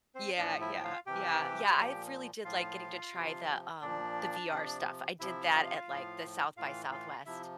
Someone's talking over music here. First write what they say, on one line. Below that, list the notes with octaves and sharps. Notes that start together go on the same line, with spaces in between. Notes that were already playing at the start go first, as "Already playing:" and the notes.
Yeah, yeah, yeah, yeah. I really did like getting to try the, um the VR stuff. I did that at, like, the SXSW
C4 C5
A2 F3 D4 D5
E4 E5
G5
F4 F5
C3 E3 G4 G5
A#2 F3
A2 F3 F4 F5
C3 F3
A#2 F3 D4 D5
C3 F3
C3 F3 E4 E5
F4 F5
A2 F3
A2 E3 F4 F5
F4 F5
C3 F3 E4 E5